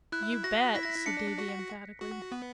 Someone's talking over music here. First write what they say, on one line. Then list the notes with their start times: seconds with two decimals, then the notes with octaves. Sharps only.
"You bet!" said Davy emphatically.
0.12 E4 F#6
0.44 F#4 A#6
0.75 E4 B6
0.83 A#6
0.90 B6
1.06 D4 C#7
1.38 F#4
2.01 F#4
2.32 B3